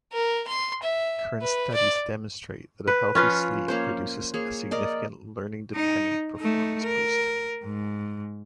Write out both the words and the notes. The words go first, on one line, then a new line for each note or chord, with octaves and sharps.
Current studies demonstrate that a healthy sleep produces a significant learning-dependent performance boost.
A#4
C6
E5
B4
D5
B4
F3 C#4 F4 B4
A#3 C#4 C5 C#5
A#3 G#4 C#5
A#4 D5 D#5
D#4
A3 D#4
A#4
G#2